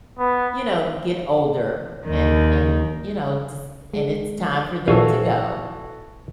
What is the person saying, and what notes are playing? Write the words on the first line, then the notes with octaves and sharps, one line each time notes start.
you know, get older, and, and you know, just, and it's time for them to go,
B3
D#2 D#3
G#3
A#1 E3 F#4 A4 F5 G#5